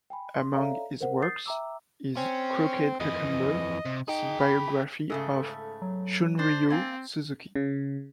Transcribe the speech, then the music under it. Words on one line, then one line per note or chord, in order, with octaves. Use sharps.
Among his works is "Crooked Cucumber", the biography of Shunryu Suzuki.
G5 G#5 B5
C6
A4 C#5 D5 E5 F5 A#5
A#4 C5 F#5
D#6 G6 A6 C7
E5 G5 A#5 D6 E6
C4 C#4
F2 E3 D#5
C3
D#4 G#4 G5
B5
G#2 C#3 A3 A4
F#3
D4 C5 A6
A#3 C4 F5 G#5
C#3